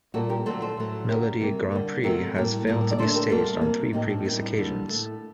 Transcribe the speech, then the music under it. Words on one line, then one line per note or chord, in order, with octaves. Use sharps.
Melodi Grand Prix has failed to be staged on three previous occasions.
A#2 G3 A#3 F#4 A4
G4 A#4
D3 F#3 A3 A4 C5
A4 C5
A2 F#3 A3
D3 F#3 A#3 G4 A#4
C3 G3 A#3
D3 G3 A#3
C3 F#3 A3 G4 A#4
A2 G3 A#3
A2 G3 A#3
D5
D3 A3 A4 C5
G4 A#4
C3 G3 A#3 F#4 A4
C3 G3 A#3
A2 F#3 A#3 D#4 G4
D4
A2 G3 A#3 C4 D#4
D3 G3 A#3
A2 A3